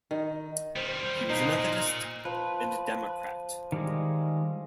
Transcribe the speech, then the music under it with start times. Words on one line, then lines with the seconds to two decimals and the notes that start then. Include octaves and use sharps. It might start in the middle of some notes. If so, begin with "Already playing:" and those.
He was a Methodist and a Democrat.
0.11 D#3
0.76 D#3 G3 C5
0.88 C5
1.30 B2 A#3 D#4
1.59 A#2
2.25 F3 B4
3.72 D#3 G3 G#3